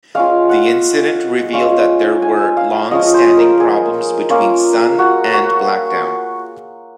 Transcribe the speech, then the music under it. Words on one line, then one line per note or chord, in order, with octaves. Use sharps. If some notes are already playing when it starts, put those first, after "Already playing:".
The incident revealed that there were long standing problems between Sun and Blackdown.
G#3 C#4 F4 F5
F#5
G#3 C#4 F4
G#5
F5
F3 G#3 C#4 F4 D#5
C5
A#4
G#4
A#3 C#4 F4
F#4
F#4